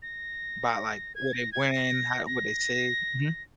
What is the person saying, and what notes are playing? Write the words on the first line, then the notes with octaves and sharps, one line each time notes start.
by, like, what they wearing, how what they say mhm.
A#6
G#6
A#6
G#6
A#6
A#6